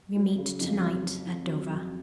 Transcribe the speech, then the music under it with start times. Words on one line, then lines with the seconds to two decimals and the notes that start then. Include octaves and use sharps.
We meet to-night at Dover!
0.16 F#3
0.38 C#3
0.61 F2
0.82 F#3
1.04 F#3
1.26 F2
1.48 F#3
1.70 F2